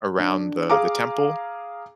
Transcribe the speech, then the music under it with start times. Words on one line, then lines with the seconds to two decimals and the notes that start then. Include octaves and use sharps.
around the the temple,
0.19 D3
0.70 G#4 F5 A#5 D6